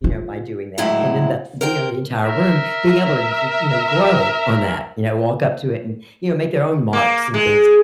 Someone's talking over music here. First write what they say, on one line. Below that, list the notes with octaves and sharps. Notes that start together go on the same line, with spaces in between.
you know, by doing that, and then the the, you know, the entire room being able to gr you know, grow on that, you know, walk up to it and, you know, make their own marks and things.
F4
D2 A2 F#3 G#3 E4
A#4 C5 G5
A#4 E5
A#3
G#3